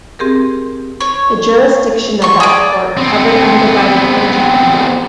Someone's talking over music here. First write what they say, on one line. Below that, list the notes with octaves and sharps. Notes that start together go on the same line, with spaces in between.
The jurisdiction of that court covered undivided Punjab and Delhi.
C4 G4 G#4 A#4
C#5
C6 C#6
G#4 D5
B3 C4